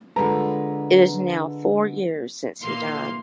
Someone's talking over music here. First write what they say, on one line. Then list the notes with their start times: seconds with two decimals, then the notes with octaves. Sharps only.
It is now four years since he died.
0.16 D3 G#3 F4 A4 B4 A#5
2.62 A#2 E3 A#3 F5 C6